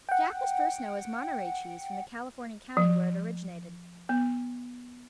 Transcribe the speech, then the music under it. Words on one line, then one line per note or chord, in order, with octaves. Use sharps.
Jack was first known as Monterey cheese from the California county where it originated.
F#5 G5
F3
B3